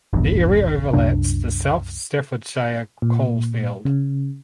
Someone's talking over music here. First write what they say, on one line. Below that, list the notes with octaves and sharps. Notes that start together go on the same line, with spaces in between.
The area overlaps the South Staffordshire coalfield.
E1 A#1 E2 G2
C2 F#2 C3 D4
A#2
C#3